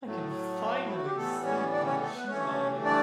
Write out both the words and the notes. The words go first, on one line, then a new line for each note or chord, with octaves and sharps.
I can finally sleep now that she's not here.
A2 F#3 A3
E4
F#4
G4
A2 E3 G3 A3 B3 A4
C#4 C#5
D4 D5
C#4 C#5
A3 A4
B3 B4
G2 E3 A3 C#4 C#5
D4 D5